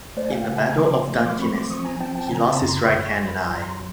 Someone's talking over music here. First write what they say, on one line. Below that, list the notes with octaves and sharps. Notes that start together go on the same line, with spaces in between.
In the Battle of Dungeness, he lost his right hand and eye.
A3 C5 D5
G#5
F5 G5
C#3 F#5 G#5
B5
G#5 A#5
F3 C6 D6
A3
C6 D6
C4 B5 C#6
C6 D6
F3 C#6 D#6
G#5 A#5
C4 G5 A5
G5 A5
C#3 G#5 A#5
A5 B5
F#2 A#5 C6
B5 C#6
F#2
C#6
C6
F#3 B5
A#5 C6
F#2